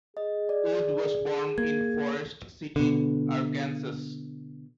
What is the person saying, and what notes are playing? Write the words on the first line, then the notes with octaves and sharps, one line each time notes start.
Wood was born in Forrest City, Arkansas.
G#4 D#5
D5
A#3 G#6
B2 D3